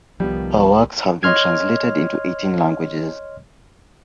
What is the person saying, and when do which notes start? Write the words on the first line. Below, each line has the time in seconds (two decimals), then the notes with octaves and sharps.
Her works have been translated into eighteen languages.
0.20 C2 D#3 F3 G3 B3
1.23 C#5 D#5 C6 F6 G#6